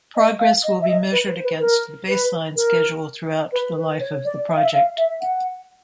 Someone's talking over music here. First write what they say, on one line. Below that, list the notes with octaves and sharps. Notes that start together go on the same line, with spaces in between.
Progress will be measured against the baseline schedule throughout the life of the project.
D#5
F5
D#5
E5
D#5
B4
C5
B4
A#4
B4
A#4
B4
B4
C#5
D5
E5
F5
E5
F5
E5
F#5